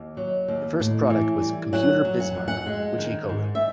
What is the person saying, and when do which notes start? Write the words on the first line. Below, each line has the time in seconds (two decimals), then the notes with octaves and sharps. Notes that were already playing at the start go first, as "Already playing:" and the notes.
The first product was "Computer Bismarck", which he co-wrote.
Already playing: D#2
0.17 F#3
0.48 D#2
0.80 A2
1.10 E3
1.42 G3
1.73 F#3 F#5
2.05 F#3
2.20 F#5
2.35 F2
2.48 F#5
2.66 G#3
2.98 D#3
3.29 G#2
3.55 E5